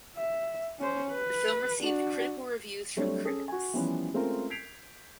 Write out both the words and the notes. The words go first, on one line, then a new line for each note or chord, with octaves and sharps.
The film received critical reviews from critics.
E5
C#4 C5
B4
D4 F#4
F#3 G3 A3 C4 D4 C#5
C#4 G#4 A4
F#4 G#5
E3 F3 G3 B3 C#4
G#3 A3 C4 C#4 F4 A#4
G6 G#6 B6 C7 D7 F7